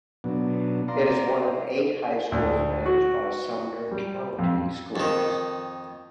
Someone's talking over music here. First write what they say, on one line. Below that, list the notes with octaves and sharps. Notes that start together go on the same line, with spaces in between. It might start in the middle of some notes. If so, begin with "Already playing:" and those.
It is one of eight high schools managed by Sumner County Schools.
B2 F#3 B3 D4
D5 F5 A#5 C6
D2
F#4
G3
F2
F2 D#3